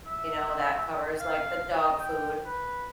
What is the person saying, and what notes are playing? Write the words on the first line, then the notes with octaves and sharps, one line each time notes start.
You know, that covers, like, the dog food.
E5
F5
D#5
G5
B4